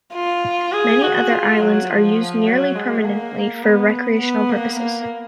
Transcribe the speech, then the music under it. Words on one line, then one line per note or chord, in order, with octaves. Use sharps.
Many other islands are used nearly permanently for recreational purposes.
F4
G#4
F#4
F4
F#3
F3
F#3
G#3
A#3
B3
B3
A#3
A#3